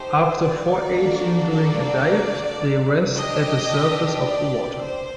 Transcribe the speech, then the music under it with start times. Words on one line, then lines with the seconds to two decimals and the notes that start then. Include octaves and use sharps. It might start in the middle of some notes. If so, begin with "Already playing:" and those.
After foraging during a dive, they rest at the surface of the water.
Already playing: A3 D#4 G4 C5
0.39 D5
0.94 A#3 D4 F#4 A4
1.50 D5
3.16 D4 G4 D#5
4.27 D5
4.82 C5